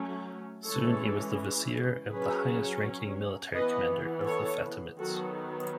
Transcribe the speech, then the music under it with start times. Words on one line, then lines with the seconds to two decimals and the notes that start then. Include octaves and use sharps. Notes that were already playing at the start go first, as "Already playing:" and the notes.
Soon he was the vizier and the highest-ranking military commander of the Fatimids.
Already playing: F#3 A3 C#4
0.65 E3 G#3 C#4 A4 C#5
2.09 F#3 C#4 G#4 B4
3.54 E3 B3 B4 D#5
4.25 A4 C#5
4.97 D#3 F#3 B3 F#4 A4